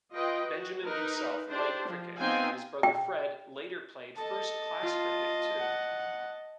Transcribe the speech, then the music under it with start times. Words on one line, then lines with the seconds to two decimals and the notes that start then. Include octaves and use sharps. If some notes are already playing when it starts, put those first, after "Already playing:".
Benjamin himself played cricket, and his brother Fred later played first-class cricket too.
0.13 F4 B4 D#5 G5
0.46 F#4
0.86 D#4 A#4 B4
1.49 D4 E4 G4 C5
1.87 F3
2.19 B3 C4 D#4 F5 G5 G#5
2.83 G5
4.17 A4 D#5 A5
4.82 F4
5.59 F#5